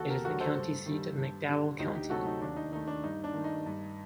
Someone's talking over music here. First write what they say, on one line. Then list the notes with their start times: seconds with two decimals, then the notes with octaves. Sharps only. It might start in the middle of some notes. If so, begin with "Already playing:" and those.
It is the county seat of McDowell County.
Already playing: D#2 F#4 A4
0.09 G4 A#4
0.25 D3 F#3 A3 F#4 A4
0.40 A4 C5
0.55 G2
0.86 D#3 G3
1.18 G2
1.48 D3 G3
1.79 D2 D#4 G4
1.95 D#4 G4
2.10 C3 F#3 A3 F#4 A4
2.26 D#4
2.42 D#2 D4
2.56 D#4
2.72 D#3 A3 D#4
2.88 D4
3.03 G2 D#4
3.24 D4
3.34 D#3 A3
3.44 D#4
3.66 G2